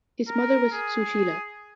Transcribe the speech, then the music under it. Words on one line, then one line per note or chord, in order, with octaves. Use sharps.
His mother was Sushila.
A#4
G#4